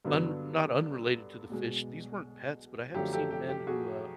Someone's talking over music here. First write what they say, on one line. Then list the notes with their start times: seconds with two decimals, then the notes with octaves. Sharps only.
un not unrelated to the fish, these weren't pets, but I have seen men who, uh,
0.05 G2 D3 F#3 B3
1.49 B1 B2 G#3
2.95 F#2 D3 F3 A3 G4
3.13 G4 A4
3.31 G4
3.49 G4
3.67 F#4 G#4